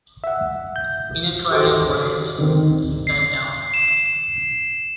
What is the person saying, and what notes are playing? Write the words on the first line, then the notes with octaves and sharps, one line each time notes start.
In a towering rage, he sat down.
E5 F#5
G6
F#4 G4 A4 C5 D6
D3 D#3 C4
C7
E7